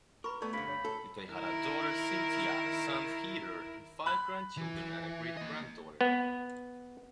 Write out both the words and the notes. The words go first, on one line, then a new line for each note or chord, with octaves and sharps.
They had a daughter Cynthia, a son Peter, five grandchildren and a great-granddaughter.
A#4 B4 B5 C#6
A3 B3 D5 A5 C#6
G2 D3 B5
C#5
A4
D#3 E4 A#4
B5 F#6
E3
A#3 D#5
B3